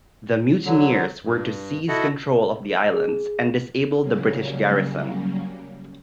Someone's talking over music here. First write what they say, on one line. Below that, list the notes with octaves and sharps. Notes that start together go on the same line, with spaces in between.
The mutineers were to seize control of the islands and disable the British garrison.
D3 F#3
G2
E4 F#4 A4 D#5 F#5
G#4
C#3 F#3 G3 A#3 C#4